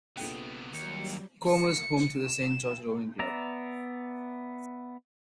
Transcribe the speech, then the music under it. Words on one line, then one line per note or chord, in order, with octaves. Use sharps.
Como is home to the Saint George Rowing Club.
A#1 C3 B3 A4 G5
D#2 F#3 G3 C#7
C#7
E7
B3 D5 E5 A#5